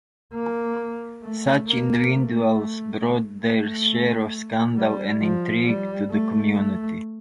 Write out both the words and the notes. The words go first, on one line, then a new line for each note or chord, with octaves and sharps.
Such individuals brought their share of scandal and intrigue to the community.
A#3
A3
A#3
A3
A3
G3
F3
G3
A3
A3